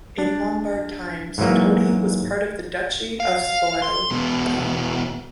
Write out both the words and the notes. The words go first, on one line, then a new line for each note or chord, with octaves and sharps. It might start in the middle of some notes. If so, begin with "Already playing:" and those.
In Lombard times, Todi was part of the Duchy of Spoleto.
D4
G#2 E3 F#3 A#3
F5
C6
E2 B2